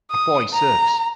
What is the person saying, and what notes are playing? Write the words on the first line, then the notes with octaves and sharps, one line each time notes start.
A boy surfs.
D#6
A#5